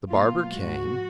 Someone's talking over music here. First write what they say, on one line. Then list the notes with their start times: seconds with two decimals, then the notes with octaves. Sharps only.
The barber came.
0.11 B2 F#3 A#3 F4
0.54 G#2 F3 G#3 F#4